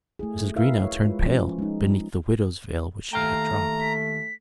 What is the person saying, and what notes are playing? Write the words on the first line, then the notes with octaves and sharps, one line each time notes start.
Mrs. Greenow turned pale beneath the widow's veil which she had dropped.
A3 E4 G#4
E4 F#4 A#4 B4 E5 F5
C#5
G#3 F4 B4
F3 C#4
G#3 D#4
D#2 A3 F5 G5 A#5
B6